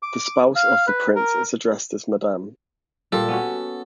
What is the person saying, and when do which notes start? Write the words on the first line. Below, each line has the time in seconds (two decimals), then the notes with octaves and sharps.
The spouse of the prince is addressed as Madame.
0.03 D6
0.56 F5
0.87 B4
1.16 A#4
3.12 A#2 G3 A4
3.28 B3 C#4 F#4